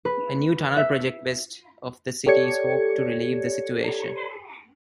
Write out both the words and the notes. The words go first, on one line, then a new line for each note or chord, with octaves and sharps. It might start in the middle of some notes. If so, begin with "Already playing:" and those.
A new tunnel project west of the city is hoped to relieve the situation.
B4
E5
G4 A4 C#5 D5 G#6 C#7